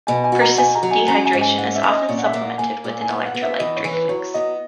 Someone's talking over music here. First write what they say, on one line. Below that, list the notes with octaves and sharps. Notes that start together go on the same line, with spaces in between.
Persistent dehydration is often supplemented with an electrolyte mix drink.
B2 G#5
G#5
F#4
A#5
B2 G#5
A#5
F#3
G#5
C#4 A#5
G#5
G#2
G#5
C#4 F#5
E5
C#4
D#5
A#2 C#5
F#5
E5
A#3
F#5
A#3 G#5
A#2
G#5
B3 F#5
F#5
B3
E5
E3 D#5
C#5
E3
B4
F#3 C#5
B3 D#5